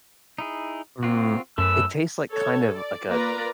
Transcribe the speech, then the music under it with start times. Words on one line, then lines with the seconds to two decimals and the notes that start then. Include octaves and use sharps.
mm, it tastes like, kind of, like a
0.39 D#4 E4 G#4
1.03 C4 F4 F#4
1.58 F#2 A3 C#4 B4 E6
2.30 A4 C#5
2.76 D5
3.08 A#3 F4 A#4 B4 D5 A#5